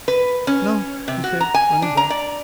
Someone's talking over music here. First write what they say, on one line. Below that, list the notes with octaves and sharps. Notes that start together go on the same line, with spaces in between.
"No," she said, running back.
B4
C#4
C3
F#4
A#5
G#5
D4
A#5
D5